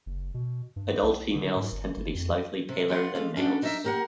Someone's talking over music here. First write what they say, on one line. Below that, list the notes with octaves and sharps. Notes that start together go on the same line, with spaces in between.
Adult females tend to be slightly paler than males.
F#1
B2
G2
B1
D3
G#2
G1
G1
F2
C3
E2 F4 D5 F#5
G#3 A3 F5
C#4 D4 F#4 A4
D4 D#4 A#4 C#5 E5
A#3 G4 A#4 D#5 F#5